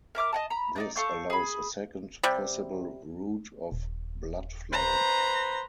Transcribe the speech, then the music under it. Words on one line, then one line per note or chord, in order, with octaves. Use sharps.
This allows a second possible route of blood flow.
A#4 E5 D6 F6
D#5 F#5 A5
A#5 B5
D4 D#4 D5
A4 F5 C#6 G6
G#4 B5
C3 G3
D#1
B4 C5 A#5